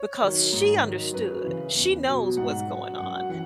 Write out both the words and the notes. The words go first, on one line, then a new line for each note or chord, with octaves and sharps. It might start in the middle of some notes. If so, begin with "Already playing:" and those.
Because she understood. She knows what's going on.
Already playing: C#5
D#3 F#3
G#2
D#3 F#3
F#2 B4
C#3 E3
E2
B2 F#3
G#2 F#5
F#3
F#2 F#5
E3 F#5